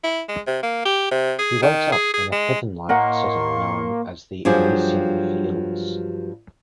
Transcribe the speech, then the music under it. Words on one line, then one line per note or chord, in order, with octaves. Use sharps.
He wakes up in a heaven-like setting known as the Elysian Fields.
E4
G#3
C3
A#3
G4
C3
G#4
D#3
G#4
G#4
G#3
A2 A#3 A#4 D#5 F#5 C6 C#6
G2 F3 F#3 G4 G#4